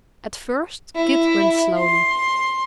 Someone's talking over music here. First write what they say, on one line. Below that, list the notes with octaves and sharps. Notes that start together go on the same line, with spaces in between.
At first Kit went slowly.
E4
C6